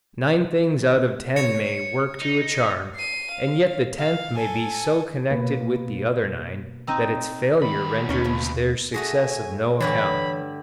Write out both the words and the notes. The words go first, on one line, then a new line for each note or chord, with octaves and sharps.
Nine things out of ten may work to a charm, and yet the tenth may be so connected with the other nine, that its failure renders their success of no account.
C#5 C#7
D#4
C7 D#7
F5
F5
A4 G#5
B2 A#3 B4
C4 D#4 D#5
D2 D#3 B5
D#2 C#4 D#4
C#2 B2
A3 F#4 G#4 D#5 G#5
G2 D3 E3 G3 C#5 B5